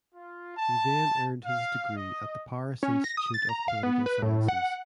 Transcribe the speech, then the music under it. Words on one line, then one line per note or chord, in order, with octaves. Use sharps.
He then earned his degree at the Paris Institute of Political Sciences.
F4
A5
F5
D#5
C#4
A#6
D#6
A6
A#5
F5
B3
B4
A2
F#5